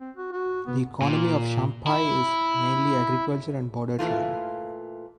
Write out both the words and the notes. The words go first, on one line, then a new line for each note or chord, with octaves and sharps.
The economy of Champhai is mainly agriculture and border trade.
C4
F#4
F#4
B3
A#2
E4
A#2 E3 A3 F4